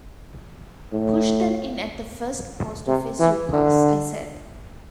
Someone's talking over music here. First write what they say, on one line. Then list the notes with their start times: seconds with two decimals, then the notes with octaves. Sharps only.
"Push that in at the first post office you pass," I said.
0.92 A2
2.87 C3
3.20 E3
3.53 D3